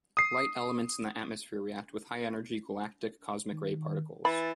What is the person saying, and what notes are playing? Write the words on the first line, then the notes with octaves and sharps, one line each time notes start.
Light elements in the atmosphere react with high energy galactic cosmic ray particles.
D#6 C7
D#3
E3 B5 A6